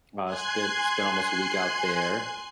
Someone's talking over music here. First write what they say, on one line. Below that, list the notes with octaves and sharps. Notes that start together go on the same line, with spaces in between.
uh, spent spent almost a week out there.
G#5 C6 F#6 G#6 C7